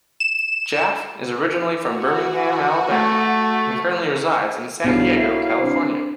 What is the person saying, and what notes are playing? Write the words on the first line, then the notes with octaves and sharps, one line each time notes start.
Jaffe is originally from Birmingham, Alabama and currently resides in San Diego, California.
E7
F#4
A3
B1 G2 F#3 E4 F5
E5
C4 D4